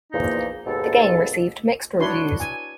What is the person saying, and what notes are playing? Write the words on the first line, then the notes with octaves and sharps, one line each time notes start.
The game received mixed reviews.
E2 A#2 F3 A#3 D#4
D#2 G#2 B2 A4
D4 E4 F#4 B4 C#5 C6
G#5